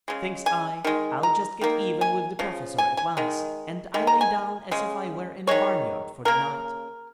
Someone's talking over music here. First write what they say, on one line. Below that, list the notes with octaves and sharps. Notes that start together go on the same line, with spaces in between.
Thinks I, I'll just get even with the Professor at once, and I lay down as if I were in a barnyard for the night.
C#3 G#3
G#5
D#3 G#3
A#5
D#3 A#3
G#5
C#3 F3
G#5
G#5
D#3 G#3
D#3 G#3
A#5
G#5
C#3 G#3
D#3 G#3 C#5
C#3 A#3 A#4